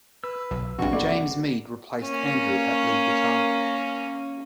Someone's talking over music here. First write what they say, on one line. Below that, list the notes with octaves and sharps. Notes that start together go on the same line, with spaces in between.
James Mead replaced Andrew at lead guitar.
B4 E6
B1
A#1 G2 C3 G#3 F#4
A#3 A4 B4 D5 D6
A#3 C#4